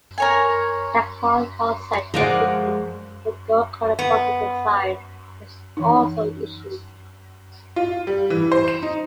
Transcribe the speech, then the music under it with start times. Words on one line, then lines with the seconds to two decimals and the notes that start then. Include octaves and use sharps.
A cloth lozenge depicting the gold colored button design was also issued.
0.18 A#4 C#5 G#5
2.14 F3 G#3 A#4 D5 F#5
3.99 B3
5.77 E3 D#4
7.76 F4
8.07 G3
8.30 E3
8.52 C5
8.68 E7
8.83 D#4